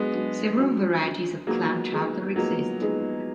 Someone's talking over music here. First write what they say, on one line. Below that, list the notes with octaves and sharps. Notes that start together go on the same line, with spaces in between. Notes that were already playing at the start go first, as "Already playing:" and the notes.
Several varieties of clam chowder exist.
Already playing: F#3 G#3 B3 D4 F#4
F#3 D4 F#4
F#3 D4 F#4
F#3 D4 F#4
F3 F#3 G#3 A#3 B3 D#4 G#4
F3 G#3 B3 D#4 G#4
F3 F#3 G#3 A#3 B3 D#4 G#4
F3 G#3 B3 D#4 G#4